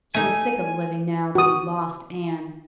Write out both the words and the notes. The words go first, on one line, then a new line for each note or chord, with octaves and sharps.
He was sick of living now that he'd lost Anne.
A3 D#4 G#5
F#4 D#6